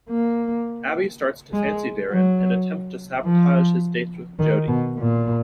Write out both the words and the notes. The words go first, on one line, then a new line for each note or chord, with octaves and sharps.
Abi starts to fancy Darren, and attempts to sabotage his dates with Jodie.
A#3
G#3
F#3
F3
D#3
B2
A#2